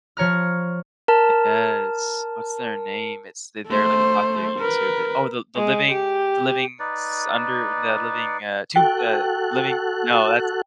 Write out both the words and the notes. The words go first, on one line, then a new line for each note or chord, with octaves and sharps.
Yes. What's their name? It's they they're like a popular YouTube oh, the the living the livings under the living, uh tomb uh, living o, that's
F3 C#5 A#5 F6
A#4 A5
A3 C5
A#4 B4
G#3
G4
D#4 B4 D5
F#4 A4 G5 F#6